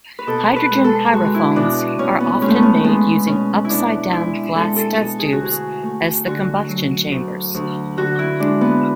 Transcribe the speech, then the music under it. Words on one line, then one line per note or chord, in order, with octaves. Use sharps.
Hydrogen pyrophones are often made using upside-down glass test tubes as the combustion chambers.
B4
B2 A4
B4
G#3
A4
G#3 F#4
E4
B2 D4
B2 C#4
B3
G#3 C#4
A3
B3
C#4
G#3 B3
B2 C#4
E4
B2 D4
G#3 E4
G#3 A4
A4
B2 A4
G#4
F#4
D2 G#4
A3
D3 F#4
F#3
D2
D2
D3 F#4
E4
G#3 D4
B3